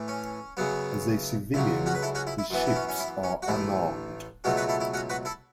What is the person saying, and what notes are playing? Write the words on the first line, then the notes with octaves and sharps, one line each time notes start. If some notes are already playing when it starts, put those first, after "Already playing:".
As a civilian, his ships are unarmed.
Already playing: A2 E3 A3
C#4
F#2 C#3 F#3 B3
C#2 C#3 F#3 E4
C#4 F#4
B4
E4 A4
C#4 F#4
E4
E4
F#2 E3 B3
E4
C#4
C#4
E4
C#4
F#4
A1 A2 A3 E4
C#2 B2 F#3 A3 C#4 F#4
F#4 B4
E4 A4
E4
C#4 F#4
F#4 B4
E4 A4